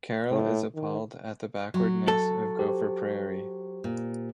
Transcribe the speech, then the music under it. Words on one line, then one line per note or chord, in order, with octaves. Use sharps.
Carol is appalled at the backwardness of Gopher Prairie.
A2
D#3
F#3
A4
G4 C5
A#2